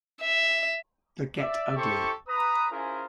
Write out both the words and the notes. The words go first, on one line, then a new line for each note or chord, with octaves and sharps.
The Get Ugly!
E5
D5 E5
E4 G4 A4 C5 C#6
B4 A#5 D#6
C#4 E4 F4 G#4 A#4 C5